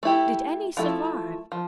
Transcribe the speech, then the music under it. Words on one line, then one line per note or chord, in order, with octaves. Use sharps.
Did any survive?
A3 E4 G4
F3 A3 E4 A4
F3